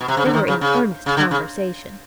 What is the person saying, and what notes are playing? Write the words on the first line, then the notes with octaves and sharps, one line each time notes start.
They were in earnest conversation.
B2
C3
C#3
D3
D#3
C#3
C#3
C#3
D3
C#3